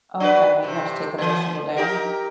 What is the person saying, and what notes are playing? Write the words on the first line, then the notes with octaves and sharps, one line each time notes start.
Okay, and you have to take that every single day?
D4 F#4 B4
G2 C3
E3 B3
D#4 G4 A#4